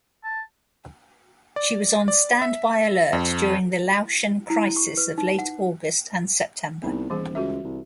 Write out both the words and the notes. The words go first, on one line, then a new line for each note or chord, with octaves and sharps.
She was on standby alert during the Laotian crisis of late August and September.
A5
D5
D5
E5
F2
E4
C#6
B4
D#4
F#5
C2 B3 D#4
D#1 E3 G3 G#4
C#2 F#4 A4 E5
C2